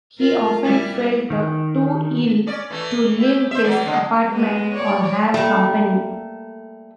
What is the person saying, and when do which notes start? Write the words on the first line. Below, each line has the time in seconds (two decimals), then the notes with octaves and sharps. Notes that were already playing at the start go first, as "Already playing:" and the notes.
He often felt too ill to leave his apartment or have company.
0.18 F4 A#4
0.63 G3 E4 G4
1.30 D#3
2.47 C#4 D5
2.70 E3 A3
3.18 E4 G4
3.51 C5 E5
3.64 E3 F#3 D5
3.86 D3 G#3
4.25 G#3 B3
4.74 C#5 D5
5.34 G3 A3 A#3